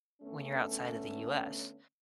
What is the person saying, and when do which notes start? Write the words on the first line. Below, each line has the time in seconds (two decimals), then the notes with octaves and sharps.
when you're outside of the US.
0.22 D3 A3 B3 C#4